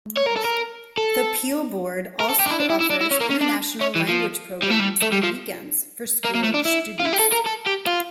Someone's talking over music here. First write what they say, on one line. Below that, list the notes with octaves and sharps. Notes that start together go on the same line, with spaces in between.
The Peel board also offers International Language Programs on weekends for school-aged students.
C#5
A#4
A4
A#4
A4
A#4
A4
G4
D4
E4
D4
E4
E4
D4
E4
C#4
A#3
C#4
D4
C#4
E3
F3
G3
A3
G3
A3
G3
F3
A#3
A#3
A3
D4
E4
F4
E4
G4
A4
A#4
A4
G4
F4